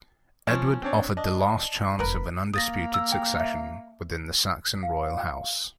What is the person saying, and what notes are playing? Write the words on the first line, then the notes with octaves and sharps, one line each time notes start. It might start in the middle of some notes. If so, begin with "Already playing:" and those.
Edward offered the last chance of an undisputed succession within the Saxon royal house.
F3 C#4 E7
C4 D4 C#5
D4 D#5
F1 A3 A#4 B4
A#3 D#6 A6 A#6
E6
G5
E5
F5